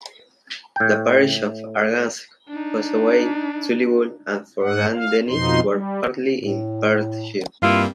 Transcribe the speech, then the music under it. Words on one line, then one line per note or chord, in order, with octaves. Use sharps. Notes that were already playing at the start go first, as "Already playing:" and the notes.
The parishes of Arngask, Fossoway, Tulliebole and Forgandenny were partly in Perthshire.
A2 G5
D4 D#4
G#2 F#5
F5
F2 B2 F3 D#4 C6
G3
A2
G2 G3 A#3 C4 E4 F4